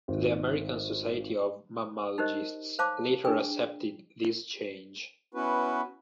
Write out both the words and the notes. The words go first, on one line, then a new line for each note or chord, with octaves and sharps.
The American Society of Mammalogists later accepted this change.
G#1
D#4 G4 A#4 C5 D#5
C5 C#5 F5 A5 C6 D6
D4 G#4 G5
B3 C#4 E4 F#4 B4